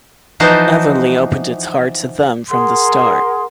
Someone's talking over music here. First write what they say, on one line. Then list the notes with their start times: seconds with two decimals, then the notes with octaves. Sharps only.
Avonlea opened its heart to them from the start.
0.40 E3 F3 D#4 F#4 C5 A5
2.50 G#4 A#4 F#5 C6